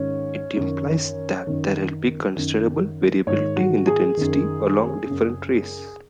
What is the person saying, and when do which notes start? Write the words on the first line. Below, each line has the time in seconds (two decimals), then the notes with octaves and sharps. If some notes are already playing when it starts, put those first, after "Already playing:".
It implies that there will be considerable variability in the density along different rays.
Already playing: G#2 D#3 C#4
0.56 F#2 D#3
1.47 F#2 D#3
2.36 F#2 D#3
3.27 G#2 D#3 C#5
3.57 F#4
3.87 G#4
4.17 F#2 D#3
5.07 F#2 C#3